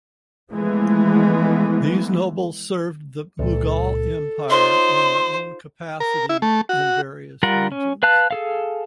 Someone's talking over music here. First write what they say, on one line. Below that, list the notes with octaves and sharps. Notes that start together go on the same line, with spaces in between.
These nobles served the Mughal Empire in their own capacity in various regions.
E3 F3 G#3 A3 B3
C#2 A#2 A4
D#4 F4 C5 C#5 D#5 C6
A#4
E4
A3
F#4
G3 F4 A#4 F#5
C#4
B4 F5 A5 F#6
G#4 A4 F5